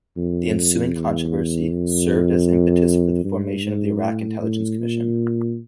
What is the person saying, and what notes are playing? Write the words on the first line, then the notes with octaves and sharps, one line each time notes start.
The ensuing controversy served as impetus for the formation of the Iraq Intelligence Commission.
F2
E2
F2
G2
G#2
A2
A2
A#2